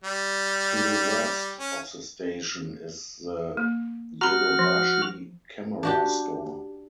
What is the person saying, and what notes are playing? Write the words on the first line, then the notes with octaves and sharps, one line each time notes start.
To the west of the station is the Yodobashi Camera store.
G3
C#4
A#3
F#4 A#5 B5 F6
F3
D4 F#4 G4